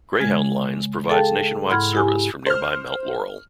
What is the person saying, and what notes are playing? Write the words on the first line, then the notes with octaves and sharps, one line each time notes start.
Greyhound Lines provides nationwide service from nearby Mount Laurel.
C#3 G#3 G#6
G#4 A4 F5 G5 A5
G#2 E4 F#5 B5 F6 G#6
E4 G4 G#5
C5 F6